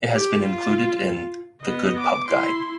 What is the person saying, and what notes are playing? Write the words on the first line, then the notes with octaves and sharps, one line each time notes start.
It has been included in "The Good Pub Guide".
G4
F4
B3 D#5
D6
E4 C6